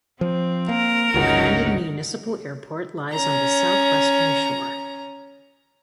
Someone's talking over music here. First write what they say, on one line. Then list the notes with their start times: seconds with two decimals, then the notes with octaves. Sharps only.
The Crandon Municipal Airport lies on the southwestern shore.
0.21 F3 C4
0.69 A#3 A#4
1.14 G1 C#2 C#4 D#4 F#4
3.13 C#4 A#5